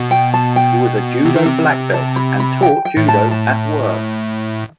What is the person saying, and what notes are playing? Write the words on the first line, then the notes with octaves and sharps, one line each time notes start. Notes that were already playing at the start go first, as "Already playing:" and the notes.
He was a judo black belt and taught judo at Worth.
Already playing: B2
G5
A5
G5
C3
D#3
C3
A5
B5
B5
G5
G5
A2
A5
A5